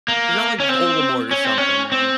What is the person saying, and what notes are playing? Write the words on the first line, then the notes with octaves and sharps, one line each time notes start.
he's not, like, Voldemort or something, man.
A#3
C#4
C4
C#4
C4
C#4
C4